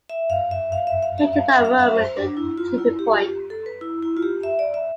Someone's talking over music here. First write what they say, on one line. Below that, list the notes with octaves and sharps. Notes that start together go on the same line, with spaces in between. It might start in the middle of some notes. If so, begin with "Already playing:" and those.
He called that moment the "tipping point".
E5
F5
E5
F5
E5
F5
E5
F5
E5
F5
E5
C5
D4
E4
F4
E4
G4
F4
G4
A4
B4
E4
E4
F4
G4
E5
D5
E5